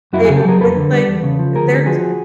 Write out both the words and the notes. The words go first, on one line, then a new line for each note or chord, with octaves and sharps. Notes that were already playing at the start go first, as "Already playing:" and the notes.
they it's like, uh, they're, t
F#2 E4 F#4
C#3 F#4 G#4
G4 A4
F#3 G#4 A#4
F2 A4 B4
D3
G3
E2
C#3
F3
D2 G#4 A#4
D3 F#4 G#4
F3 F#4 G#4